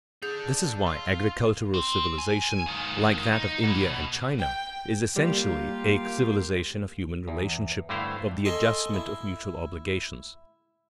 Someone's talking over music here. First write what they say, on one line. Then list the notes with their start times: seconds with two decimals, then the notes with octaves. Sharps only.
This is why agricultural civilisation, like that of India and China, is essentially a civilisation of human relationship, of the adjustment of mutual obligations.
0.22 D4 G#4 A4 G6 F7
0.55 G6
0.87 F4 E6
1.74 C4
2.18 G#5
2.66 C#2 D#3
3.33 D#4
3.63 B2 E3
3.84 B2
4.39 G5
5.16 G3 A#3 F4 G4
7.28 E2
7.89 G2 D3 A3 E4 C5 F5
8.45 A4 D#5 G5 G#5 C6
8.94 E4